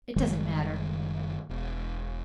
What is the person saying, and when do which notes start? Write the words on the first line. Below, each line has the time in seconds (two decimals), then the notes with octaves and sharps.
It doesn't matter.
0.16 F#1 D#3 G3 G#3
1.49 E1